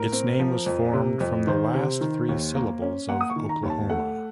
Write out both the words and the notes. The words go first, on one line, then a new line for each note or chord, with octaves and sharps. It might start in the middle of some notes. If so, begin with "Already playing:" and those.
Its name was formed from the last three syllables of Oklahoma.
Already playing: A2 A#4
C4
F3
F2
C3
F2
D#3 C5
C3
D#3
D#2
A#3
C#4
A#3 F#5
D#6
C#6
D#3
A#5
D#2
A5
A3 F#5